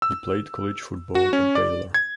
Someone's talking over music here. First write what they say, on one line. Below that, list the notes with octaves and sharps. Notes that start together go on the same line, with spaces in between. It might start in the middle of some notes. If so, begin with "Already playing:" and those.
He played college football at Baylor.
E6
F#4
C#4
D5
G#6